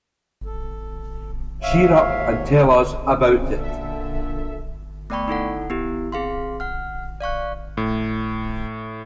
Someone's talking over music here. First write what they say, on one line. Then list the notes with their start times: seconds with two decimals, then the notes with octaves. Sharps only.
Cheer up, and tell us about it!
0.45 A4
1.62 D#2 G#2 C#5 E5 F5
3.03 C#3 C4
3.54 A#2 D3 A4 E5
5.10 A3 B3 D5 G5 B5 C#6
5.28 D#4 E4 A4 F#5
5.70 B3 E4 G4
6.12 C4 G#4 F5 C6
6.60 F#5 F6
7.21 D5 F5 C#6 F#6
7.77 A2